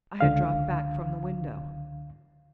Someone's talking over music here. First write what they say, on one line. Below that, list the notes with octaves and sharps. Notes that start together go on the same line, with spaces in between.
I had dropped back from the window.
C#2 D3 F5